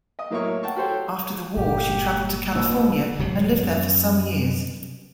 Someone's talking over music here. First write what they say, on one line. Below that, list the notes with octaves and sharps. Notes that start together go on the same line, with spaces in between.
After the War, she travelled to California and lived there for some years.
D#5 D#6
A2 F#3 A#3 E4 C#5 C#6
F#5 G5 A5 C#6
F#4 G4 A4 C5 C#5 G5
G1 A#2 G4
D#1 D#2 B2 E6
D1 C3 F#3
F#2